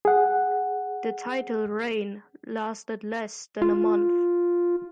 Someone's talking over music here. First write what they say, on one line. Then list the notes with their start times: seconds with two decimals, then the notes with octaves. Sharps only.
The title reign lasted less than a month.
0.05 G#4 F#5
3.62 F4